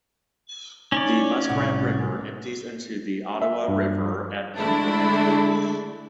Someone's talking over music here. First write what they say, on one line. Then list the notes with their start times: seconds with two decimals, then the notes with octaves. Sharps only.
The Muskrat River empties into the Ottawa River at Pembroke.
0.92 C#4 D#4 C#5 D5
1.49 C2 A2 F#5
3.42 E5
3.68 G2
4.58 D3 G#3 A3 D4 E4